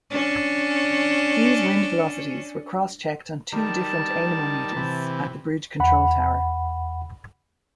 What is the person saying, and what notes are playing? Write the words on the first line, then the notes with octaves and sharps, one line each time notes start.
These wind velocities were cross-checked on two different anemometers at the bridge control tower.
C#4 D4
D#3 G3 A5
C3 E3
E2 F#5 B5